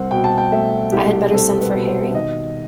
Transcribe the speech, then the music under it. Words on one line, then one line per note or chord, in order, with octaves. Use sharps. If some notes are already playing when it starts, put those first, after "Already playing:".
I had better send for Harry?
Already playing: C2 C4 F#5
B2 G5
A5
G5
A3 E5
C2 G4
C4 A4
B4
B2
C5
D#3 D#5